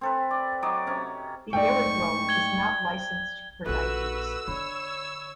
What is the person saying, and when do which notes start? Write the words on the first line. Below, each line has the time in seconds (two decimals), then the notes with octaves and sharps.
The aerodrome is not licensed for night use.
0.01 C4 A4 B4
0.31 D5
0.62 F#3 D#4 D5
0.87 C3 C#4
1.53 G#2 A3 D#4 D5 G5 C#6
2.29 G#6 G7
3.66 A#1 F4 F#4 A4 B4 E6 F#6
4.48 D3 C#5 B5